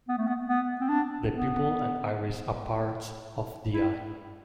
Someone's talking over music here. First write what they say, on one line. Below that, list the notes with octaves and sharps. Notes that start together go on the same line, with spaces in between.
The pupil and iris are parts of the eye.
B3
A3
B3
B3
C4
D4
B3
E4